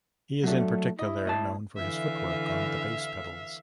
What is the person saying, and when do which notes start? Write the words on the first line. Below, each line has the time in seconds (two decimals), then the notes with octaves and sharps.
He is in particular known for his footwork on the bass pedals.
0.43 F#3 A3 D4
0.99 E4 D#5
1.25 A2 D#5 A5
1.77 D3 E3 E5 F5